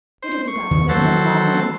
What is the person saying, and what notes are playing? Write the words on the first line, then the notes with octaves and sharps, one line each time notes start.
It is about seven o'clock now.
C5
C#6
E2 D#3
F#3 A#3 A4 C5
D#3 E3